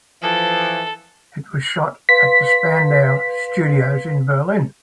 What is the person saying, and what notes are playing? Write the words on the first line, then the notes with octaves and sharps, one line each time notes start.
It was shot at the Spandau Studios in Berlin.
E3 F3 A4
B4 F5 C6 B6